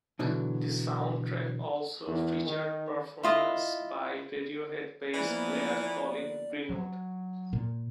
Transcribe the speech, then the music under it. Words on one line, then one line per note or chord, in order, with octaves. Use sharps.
The soundtrack also featured performances by Radiohead bass player Colin Greenwood.
B2 D3 E3 F#3
E2
D#3
E4 F4 D#5
E3 F3 A#3 B3 D5
F#3
A#2